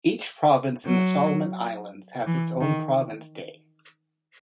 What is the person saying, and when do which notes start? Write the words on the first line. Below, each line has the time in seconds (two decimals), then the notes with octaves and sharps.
Each province in the Solomon Islands has its own Province Day.
0.86 F#3
2.26 E3
2.61 D#3